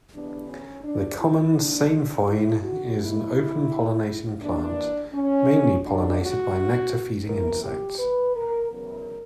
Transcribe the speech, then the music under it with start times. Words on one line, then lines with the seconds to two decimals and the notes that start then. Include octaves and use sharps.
The common sainfoin is an open pollinating plant, mainly pollinated by nectar feeding insects.
0.12 E2 D3 G3 B3 D4
0.48 C#4
0.84 D4
1.20 E4
1.55 G2 F#3 A#3 D4
1.91 D4
2.28 E4
2.62 F#4
2.98 G2 F#3 A#3 E4
4.41 G2 E3 A#3 D4
5.13 C#4
5.84 E2 C#3 F#3 D4
6.20 F#4
7.27 F#2 E3 A#3 A#4
7.63 G4
7.99 B4
8.35 A#4
8.70 E2 C#3 F#3 B3 A#4